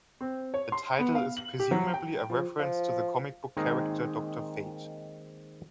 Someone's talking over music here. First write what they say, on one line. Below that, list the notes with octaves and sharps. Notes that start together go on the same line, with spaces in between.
The title is presumably a reference to the comic book character Doctor Fate.
C4
C#5
C6
B3
F5
F#7
G4
F#3
G5
F3
F3
D#3 G#3 A#3 C4 D#4